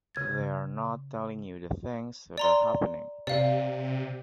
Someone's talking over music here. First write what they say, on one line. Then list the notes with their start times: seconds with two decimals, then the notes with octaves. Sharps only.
They are not telling you the things that are happening.
0.15 C#3 G#6 A6
2.38 D5 A#5 C6
3.27 C3 D5 F5